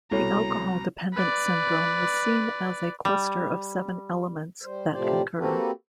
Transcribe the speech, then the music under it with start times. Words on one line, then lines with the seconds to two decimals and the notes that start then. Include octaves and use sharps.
The alcohol dependence syndrome was seen as a cluster of seven elements that concur.
0.11 C2 B2 E4 A4 C#5 A#5
1.13 B4 D5
3.05 G3
4.63 G3 C5
4.92 A2 C3 F3 G4 C5 D5
5.39 A#3 C4 F#4 G4 A4 B4